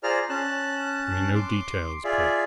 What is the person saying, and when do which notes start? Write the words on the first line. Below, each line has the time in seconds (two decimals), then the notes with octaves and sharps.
Only no details, pray.
0.03 F4 G#4 C5 D5 A#5 F6
0.29 C#4 A5 F#6
1.35 C6 D6
2.04 F4 G#4 D5 E5